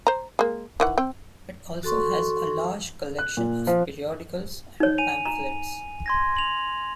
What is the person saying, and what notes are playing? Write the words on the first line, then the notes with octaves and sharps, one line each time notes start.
It also has a large collection of periodicals and pamphlets.
C5 A#5
G#3 A#3
D#3 E3 F#5
C4 G5
F#4 A4 C6 C#6
F#6
A#2
F3
D#4 C#5
G#5 D#7 F7
A#5
C6 G#6 A#6
F7 F#7